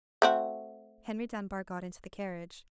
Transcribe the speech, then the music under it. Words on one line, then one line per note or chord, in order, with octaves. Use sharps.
Henry Dunbar got into the carriage.
A3 C4 F#4